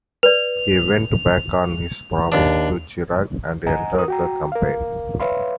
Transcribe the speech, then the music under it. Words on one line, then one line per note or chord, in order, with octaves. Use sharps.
He went back on his promise to Chirac and entered the campaign.
B4 D5 F7
D#2 D4
D#5 F#5 G#5 A#5
A#4 D#6
F#4 G5 A#5
A#4 F5
B4 C#5 E5 F5 B5 C6